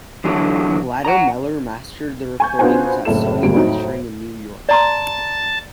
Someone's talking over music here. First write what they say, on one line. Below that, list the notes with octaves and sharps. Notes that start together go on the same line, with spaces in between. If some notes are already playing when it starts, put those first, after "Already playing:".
Vlado Meller mastered the recordings at Sony Mastering in New York.
D3 E3 F#3 D4
F#5 A#5
G#5 C#6 G6
B3 D4 F4 F#4 C5 G#5
F#1 F2 A2 A4 E7
G#1 D2 G3 A#3 D7
F2 A2 F#3 D#4
D5 A5 A#5 C6